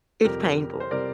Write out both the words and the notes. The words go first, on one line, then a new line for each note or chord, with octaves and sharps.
it's painful.
F2 C3 G3 G4 A#4
C5
C3 G3 A#4 D5